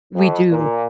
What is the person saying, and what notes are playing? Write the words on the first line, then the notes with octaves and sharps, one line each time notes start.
We do.
F2
A#2